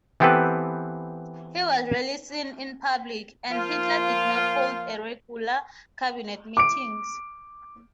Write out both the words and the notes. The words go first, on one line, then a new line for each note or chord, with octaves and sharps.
He was rarely seen in public, and Hitler did not hold regular cabinet meetings.
E3 B3 C4 G4 A4 B4
F3 A#3 F4
D6 D7